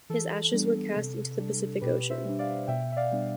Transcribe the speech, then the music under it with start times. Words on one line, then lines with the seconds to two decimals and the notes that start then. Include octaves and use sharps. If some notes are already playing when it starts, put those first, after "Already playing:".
His ashes were cast into the Pacific Ocean.
0.10 E3 A4
0.52 G3 B3 D4
0.96 C3
1.39 G3 D4
1.81 B2 G4 B4
2.10 C5 E5
2.24 G3 D4
2.39 D5 F5
2.68 B2 E5 G5
2.92 E5
2.97 D5 F5
3.12 G3 B3 D4